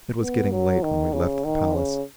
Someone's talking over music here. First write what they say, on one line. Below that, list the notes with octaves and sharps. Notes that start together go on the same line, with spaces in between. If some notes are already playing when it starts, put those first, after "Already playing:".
It was getting late when we left the Palace.
B3
F#3
D#3
C#3
D#3
C#3